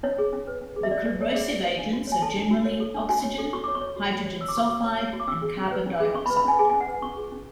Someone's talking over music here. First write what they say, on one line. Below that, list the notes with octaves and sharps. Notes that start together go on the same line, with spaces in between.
The corrosive agents are generally oxygen, hydrogen sulfide, and carbon dioxide.
C#4 C#5
G#4
C#4
B4
C#4
G#4
E5
C#4 D5
B4 D5
C#4 C#5
E5
G#4 D5
C#4
B4
D4
F#4
C#5 G#5
A4 A5
D4
F#4
C#5
A4
D4
F#4 G#5
C#5
A4
F#4 C#6
C#5 D6
C#6
C#5
F#4
F#4
C#5
C#5 E6
D6
F#4 C#6
F#4 D6
C#5
C#5
F#4
D6
C#4 E6
G#4
C#4
B4
C#4
G#4
C#4 C#6
B5
B4
B5
C#4 G#5
G#4 G#5
C#4 G#5
F#5
B4
C#4 C#6
G#4
C#4